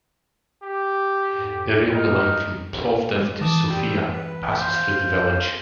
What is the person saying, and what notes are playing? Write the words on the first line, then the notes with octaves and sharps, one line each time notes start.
The railway line from Plovdiv to Sofia passes through the village.
G4
F2 G#2
D#4 F6
G#3
E3 A5 D6 D#6
G3 C4
B4
C5 F5